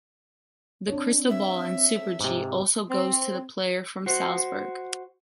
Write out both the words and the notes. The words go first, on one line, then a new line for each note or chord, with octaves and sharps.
The crystal ball in Super-G also goes to the player from Salzburg.
C4 D4 C#5
E5
G#2 C3
C4
F#4 C5